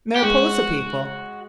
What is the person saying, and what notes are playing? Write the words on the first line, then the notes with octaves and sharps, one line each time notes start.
Mariposa people!
G4
G#3 F#4